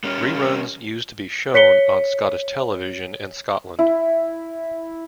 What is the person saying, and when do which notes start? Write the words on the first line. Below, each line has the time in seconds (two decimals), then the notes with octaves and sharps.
Reruns used to be shown on Scottish Television in Scotland.
0.04 G3 C#4
1.54 C#5 B6 C#7 G7
3.79 E4